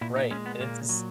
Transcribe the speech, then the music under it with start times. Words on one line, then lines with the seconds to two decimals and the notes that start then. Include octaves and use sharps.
Right, and it's a ci
0.01 A#2 E4
0.16 D#4
0.31 G#3 C#4
0.46 B3
0.60 A#2 A#3
0.89 F#3